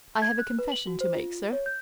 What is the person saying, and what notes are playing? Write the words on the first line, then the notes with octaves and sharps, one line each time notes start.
I have a confession to make, sir.
G#6
F#6
B4
F#7
F#4
C5
F4
C#5
G6